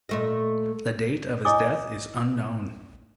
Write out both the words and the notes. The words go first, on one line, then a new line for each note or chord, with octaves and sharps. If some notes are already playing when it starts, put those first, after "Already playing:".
The date of his death is unknown.
A#2 A3 D#5
E4 C#5 D#5 G#5 D6 D#6